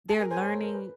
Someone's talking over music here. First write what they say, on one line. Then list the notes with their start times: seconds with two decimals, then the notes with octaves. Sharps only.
They're learning
0.09 G#4 A5
0.20 A#4 G#5
0.30 C5 G#5
0.41 C#5
0.52 A4
0.63 A#4
0.73 B4